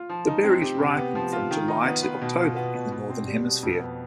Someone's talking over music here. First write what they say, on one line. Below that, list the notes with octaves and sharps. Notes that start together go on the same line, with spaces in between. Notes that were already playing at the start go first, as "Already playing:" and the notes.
The berries ripen from July to October in the Northern Hemisphere.
Already playing: F4
F3
D#4
C4
G4
C3
B3
F3
F4
D#3
D#4
B3
B4
B2
F4
B3
B2
B2
C4
G3
B2
F2
B3